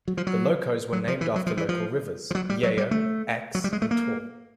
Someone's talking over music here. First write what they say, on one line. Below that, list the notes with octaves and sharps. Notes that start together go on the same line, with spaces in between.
The locos were named after local rivers: "Yeo", "Exe", and "Taw".
F#3
F3
F#3
F#3
F3
E3
F#3
F3
E3
F3
F3
F#3
G3
F#3
G3
A3
F#3
G3
G#3
A3
A#3